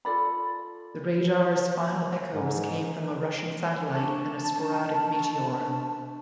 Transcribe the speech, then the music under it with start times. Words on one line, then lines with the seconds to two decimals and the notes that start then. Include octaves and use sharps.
The radar's final echoes came from a Russian satellite and a sporadic meteor.
0.05 F4 A4 D5 B5
2.34 G#2
3.93 D4 A5 C#6